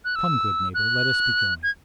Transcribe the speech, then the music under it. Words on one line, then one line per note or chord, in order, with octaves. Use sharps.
Come, good neighbour, let us be going.'
F#6
E6
F#6
G#6